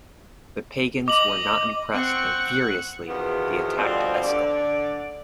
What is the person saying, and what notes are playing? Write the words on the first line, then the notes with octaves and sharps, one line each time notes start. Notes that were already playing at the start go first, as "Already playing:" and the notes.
The pagans were not impressed and furiously, they attacked Eskil.
D#5 D6 F#7
C4 F#5 C#6
E2 B2 D#3 F3 B3
B2 D3 F3 G3 C4
D3 D5